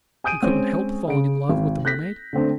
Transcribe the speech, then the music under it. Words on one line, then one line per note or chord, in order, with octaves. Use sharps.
"He couldn't help falling in love with the mermaid."
G#5 D#6 G6 D7 D#7
G#3 C4 C#4
C#3 D7
G#1
F#6 G6 A#6 B6
D3 A3 C4 D4